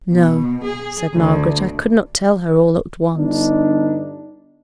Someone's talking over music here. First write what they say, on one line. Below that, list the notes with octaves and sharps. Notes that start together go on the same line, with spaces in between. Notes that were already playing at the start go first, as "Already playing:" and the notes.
'No,' said Margaret; 'I could not tell her all at once.'
B2
G#4
D2
G1 B3 D4 D#4